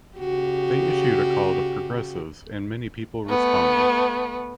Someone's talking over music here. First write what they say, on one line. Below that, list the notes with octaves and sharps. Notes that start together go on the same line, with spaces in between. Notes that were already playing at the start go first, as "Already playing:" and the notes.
They issued a call to progressives, and many people responded.
C#3 F#4 G4
A3 B3